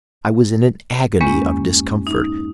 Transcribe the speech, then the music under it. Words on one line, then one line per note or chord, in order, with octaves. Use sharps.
'I was in an agony of discomfort.
E2 G2 G#3 A#3 C#4
D#4